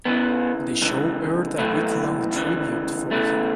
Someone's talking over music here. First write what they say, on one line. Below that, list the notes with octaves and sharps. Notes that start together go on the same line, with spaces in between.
The show aired a week-long tribute for him.
E2 C#3 E3 B3
C#2 C#3 E3
B1 A2 E3 A3
D2 C#3 E3
E2 C#3 E3 A3